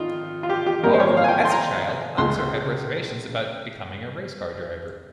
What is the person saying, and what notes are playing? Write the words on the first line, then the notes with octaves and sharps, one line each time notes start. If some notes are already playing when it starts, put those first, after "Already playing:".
However, as a child, Unser had reservations about becoming a race car driver.
Already playing: G#1 D#4 F4
F4
G4
G4
G#1 G2 G3 A#3 A#4
C5
C#5
F5
G#5
G5
G#5
C6
A#5
C#2 C#3 G#3 C6